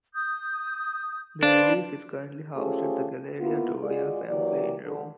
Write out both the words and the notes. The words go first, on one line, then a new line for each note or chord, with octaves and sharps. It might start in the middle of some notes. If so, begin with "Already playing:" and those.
The relief is currently housed at the Galleria Doria Pamphili in Rome.
D#6 G6
D4 B4 C5 F5
A3 C#4 F4 G4 G#4 C5
A#3 B3 E4 F4
G#3 F4 F#4 G#4 D5
E3 F#3 A#3 G4 D5
D3